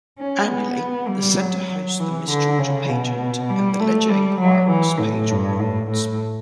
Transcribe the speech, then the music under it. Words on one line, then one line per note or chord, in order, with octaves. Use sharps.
Annually, the center hosts the Miss Georgia Pageant and the Ledger-Enquirer's Page One Awards.
C#4
B3
G3
F#3
E3
D3
C#3
B2
G3
A3
G3
F#3
E3
A2
G2
A2
A2